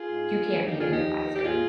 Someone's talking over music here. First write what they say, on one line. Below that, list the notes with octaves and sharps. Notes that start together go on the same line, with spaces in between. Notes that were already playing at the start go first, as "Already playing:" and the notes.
you can't be an adviser."
Already playing: F4 G#4
G#2
G2
D#3
F2 D#4 G4
F4 G#4
F3
D#4 G4
D#2
D#2
G4
G#2 F4 G#4